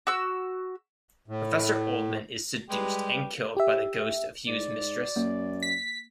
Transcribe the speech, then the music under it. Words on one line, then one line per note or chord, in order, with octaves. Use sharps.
Professor Oldman is seduced and killed by the ghost of Hugh's mistress.
F#4 E6
A2
G3 G#3 G4 B4
G4 E5
G#2 D5
F#2 A#3
B6